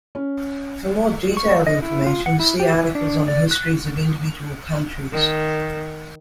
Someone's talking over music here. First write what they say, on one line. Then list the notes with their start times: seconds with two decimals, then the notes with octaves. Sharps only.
For more detailed information, see articles on the histories of individual countries.
0.15 C#4
1.37 C#6
1.67 D#5
1.82 E4
2.07 F4
2.26 F#5
2.40 E4
2.60 G4
2.75 E3
2.95 D4
3.28 D5
3.51 F#6
5.11 D#3